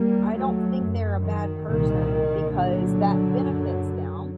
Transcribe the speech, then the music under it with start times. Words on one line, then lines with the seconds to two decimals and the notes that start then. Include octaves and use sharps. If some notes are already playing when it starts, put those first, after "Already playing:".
I don't think they're a bad person because that benefits them.
Already playing: D#2 G3 A#3
0.34 F#3 A3
0.77 F#2
1.20 D#3
1.63 C2 A#2 D#3
2.49 C2 A#2 D3 F#3
3.34 F#2